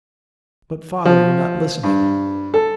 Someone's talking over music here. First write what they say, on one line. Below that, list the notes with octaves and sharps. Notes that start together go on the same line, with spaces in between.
'But, father, you're not listening.
F3
G2
A4